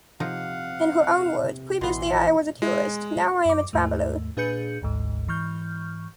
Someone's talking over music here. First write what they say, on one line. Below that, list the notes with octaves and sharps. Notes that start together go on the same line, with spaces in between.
In her own words: "previously I was a tourist, now I am a traveler".
C3 F3 D#4 F5 F#5
A1 B2 E3 B3 C6
G#3
F#2 D6
D#2 G#2 A3
A#2 D4 G#4 B4 G6 C#7
G#1 D2 G#2
G#2 E3 C#6 F6 G6